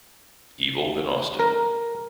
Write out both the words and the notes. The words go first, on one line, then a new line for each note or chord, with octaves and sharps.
Evil than Austin.
A#4